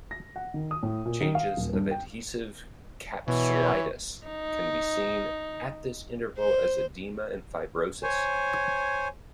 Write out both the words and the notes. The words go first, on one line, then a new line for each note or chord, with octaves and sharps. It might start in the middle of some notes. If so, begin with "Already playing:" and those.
Changes of adhesive capsulitis can be seen at this interval as edema and fibrosis.
A#6
F#5
D#3
D#6
A2
A#2
D#3
F5
D#1
G2
G5
B2 E3 C#5
D#4
C5
C5 C#5 G#5